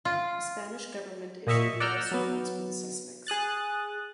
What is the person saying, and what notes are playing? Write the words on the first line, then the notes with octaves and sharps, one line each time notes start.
The Spanish government issued arrest warrants for the suspects.
F4
A#2 D#5 E5 C#6
D5 F#5 A#5 E6 F6 G6
F#3 B3
G#4 D#6 F#6 A6